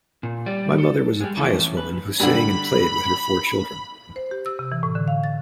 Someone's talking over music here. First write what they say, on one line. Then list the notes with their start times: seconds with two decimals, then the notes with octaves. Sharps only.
My mother was a pious woman who sang and played with her four children.
0.23 A#2
0.46 G3 G4 D5
0.78 A4
1.20 G3 G#3
1.37 F2 E3 A3 C#4 E4 A4
1.77 B4
2.20 G2 D3 B5
4.16 C5
4.31 G4
4.46 E6
4.59 C3
4.72 E3
4.83 A2
4.95 D3
5.08 F5
5.24 A6